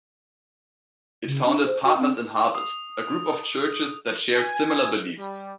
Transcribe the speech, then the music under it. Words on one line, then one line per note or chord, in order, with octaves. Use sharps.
It founded Partners in Harvest, a group of churches that shared similar beliefs.
C#3
D4
C5
F#4
C4
D#6
G#5
G3